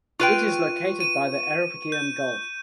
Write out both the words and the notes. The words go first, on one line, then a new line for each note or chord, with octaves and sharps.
It is located by the Ambracian Gulf.
F4 B4 G5 C#6 D#7
D#7
G6